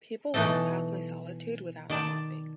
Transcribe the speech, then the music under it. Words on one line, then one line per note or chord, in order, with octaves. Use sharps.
People walk pass my solitude without stopping.
B2 E3 F#3 D#4 A4
D#3 D5 A5